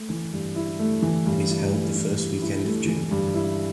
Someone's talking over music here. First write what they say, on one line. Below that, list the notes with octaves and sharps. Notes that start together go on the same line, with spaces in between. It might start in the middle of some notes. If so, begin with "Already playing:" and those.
It is held the first weekend of June.
Already playing: A3
E3
G2
E4
A3
E3
G2
E4
A3
E3
G2
E4
A3
E3
G2
E4